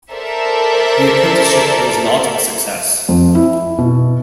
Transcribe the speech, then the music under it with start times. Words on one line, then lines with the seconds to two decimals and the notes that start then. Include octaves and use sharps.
The apprenticeship was not a success.
0.12 A4 A#4 C5 D5 E5
3.09 F2
3.35 E4
3.78 B2